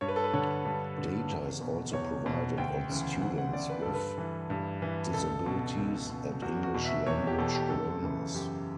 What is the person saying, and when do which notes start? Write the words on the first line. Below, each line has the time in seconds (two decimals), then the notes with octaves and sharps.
Data is also provided on students with disabilities and English language learners.
0.01 G2 C#5
0.08 B4
0.16 A4
0.24 B4
0.34 D3 C#5
0.65 G2
0.98 D3
1.30 E2
1.61 B2
1.93 E2 C#5
2.26 B2
2.58 D2 G5
2.89 C#3 E3
3.21 D2 F#5
3.38 F#5
3.53 C#3 E3 D5
3.69 B4
3.82 G2 A4
3.94 B4
4.18 E3
4.50 G2
4.82 E3
5.14 C#2 A4
5.46 B2
5.78 C#2
6.10 B2
6.42 E2 F#4
6.64 F#4
6.74 B2
6.85 E5
7.06 E2 C#5
7.27 G4
7.38 B2 A4
7.54 G4
7.70 F#2 A4
8.03 C#3 E3
8.34 F#2 G4